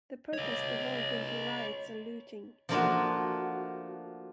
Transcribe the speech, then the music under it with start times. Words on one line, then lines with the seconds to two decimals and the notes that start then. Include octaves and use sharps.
The protest evolved into riots and looting.
0.33 C#5 D#5
2.69 F3 A3 A#3 D4 F4 F#4